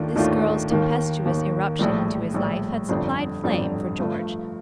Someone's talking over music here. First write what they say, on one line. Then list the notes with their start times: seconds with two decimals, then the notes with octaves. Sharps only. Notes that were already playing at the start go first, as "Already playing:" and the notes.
This girl's tempestuous irruption into his life had supplied flame for George.
Already playing: D#2 D#3 A3 D4 F4
0.16 D#2 D#3 A3 D4 F4
0.70 D#2 D#3 A#3
1.25 D#2 D#3 A#3
1.79 A#1 A2 G3
2.34 A#1 A2 G3
2.89 G1 F2 D3 G3
3.44 G1 F2 D3 G3
3.99 G2 F3 A3